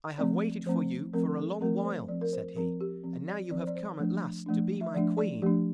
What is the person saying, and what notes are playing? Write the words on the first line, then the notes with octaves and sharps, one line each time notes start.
'I have waited for you for a long while,' said he, 'and now you have come at last to be my queen.'
F3 A3 C4 D5
F3 A3 C4 C5
F3 A3 C4 A#4
A4
F3 A3 C4 A#4
D5
C5
F3 C4 D5
A#4
C5
F3 C4 A#4
G4
F3 C4
D5
F3 C4 D5
C5
D5
C5
F3 A3 D4
F3 A3 D4
E5
F3 A3 D4 D5
D5
F3 A3 D4 G4